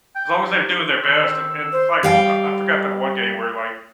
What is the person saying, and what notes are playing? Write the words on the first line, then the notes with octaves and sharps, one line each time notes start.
as long as they're doing their best, and and, like, w I I forgot that one game where, like,
G5
D#4 G4 C5
D#3 E6
C5
G3 F5 G5